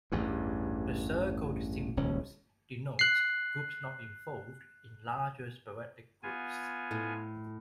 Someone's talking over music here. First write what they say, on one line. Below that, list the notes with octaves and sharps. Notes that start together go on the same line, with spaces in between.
The circled symbols denote groups not involved in larger sporadic groups.
A1 E2 G2
D#1 C#2 C#4
F#6 C7
B3 F4 G#5
A2